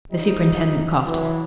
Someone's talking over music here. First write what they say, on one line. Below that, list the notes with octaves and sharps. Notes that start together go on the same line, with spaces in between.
The superintendent coughed.
F3 G3 D4 D#4
E3 F#3